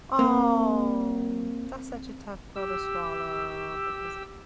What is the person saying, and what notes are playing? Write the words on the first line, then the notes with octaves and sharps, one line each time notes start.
Oh, that's such a tough pill to swallow because
A#3 C4
G4 E6